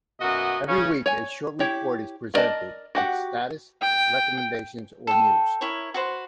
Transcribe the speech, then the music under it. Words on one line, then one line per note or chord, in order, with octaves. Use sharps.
Every week a short report is presented, with status, recommendations or news.
F#2 B2 A#3 F#4 D#5
C#3 C#4
C#5 G#5
E4 G4 C#5
B3 A#4 D5 D#5 A5
F#4 G4 F#5
G5
A4 G5
E4 A#4 C#5
F#4 B4 C5